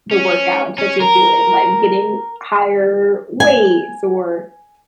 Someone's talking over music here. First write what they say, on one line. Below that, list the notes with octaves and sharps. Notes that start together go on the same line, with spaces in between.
the workouts that you're doing, like getting higher weights or
C#4
C#4
A#4
G#5